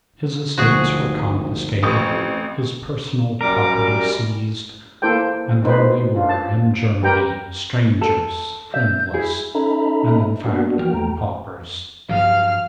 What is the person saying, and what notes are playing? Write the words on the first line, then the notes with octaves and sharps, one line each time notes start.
His estates were confiscated, his personal property seized, and there we were, in Germany, strangers, friendless, and in fact paupers.
G#1 D2 F3 F#4 G#4
A1 F2 C#6
F#2 G3 A#4 D6
A#3 E4 A4 C5 G5
A3 C4 D#4 B4 C5
D4 F4
A5
G3 G4 A#4 B4 G5 A#5
A4
E5 G6
E4 G#4
C#4 D#4 A4 E5 A#5 B5
G3 A#3 B3 D4 F#4
E3 F3 A#3 F#4 G5 F6
E2 A3 G5 A#5
G2 F3 F#3 F5 F6